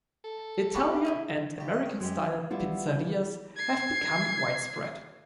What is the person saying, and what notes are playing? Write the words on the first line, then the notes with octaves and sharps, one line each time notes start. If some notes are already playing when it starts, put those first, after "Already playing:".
Italian and American style pizzerias have become widespread.
A4
G4 D5 F#5 G5 B5 C#6
E4 F4 G#4 D#5 E5
C#2 G4
G2 D#5
D#3
F#2 G#3 C4 G4
G3 B3 E4 F4
G#6 C7